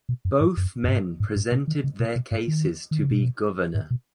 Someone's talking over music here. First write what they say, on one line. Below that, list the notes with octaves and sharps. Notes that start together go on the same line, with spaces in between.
Both men presented their cases to be governor.
B2
F#2
G#2
F#2
F#2
G#2
G#2
G#2
B2
D#3
C#3
B2
B2
G#2
D#3
D#3
C#3
B2
G#2
B2